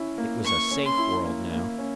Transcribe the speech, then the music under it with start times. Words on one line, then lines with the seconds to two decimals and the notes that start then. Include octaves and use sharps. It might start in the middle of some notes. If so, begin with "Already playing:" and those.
It was a safe world now.
Already playing: C#4 E4
0.18 A#3
0.45 A#3 C#6
0.71 C#4
0.85 C6
0.98 E4
1.25 A#3
1.53 A#3
1.78 C#4